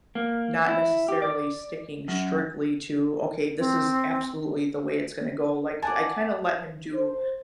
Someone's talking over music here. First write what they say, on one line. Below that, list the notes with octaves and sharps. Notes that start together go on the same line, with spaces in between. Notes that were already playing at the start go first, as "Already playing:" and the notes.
not necessarily sticking strictly to, "Okay, this is absolutely the way it's gonna go," like, I kinda let him do
A#3
E4
G4
D5
F#2
C4
D5 F#5 G#5 A5
C5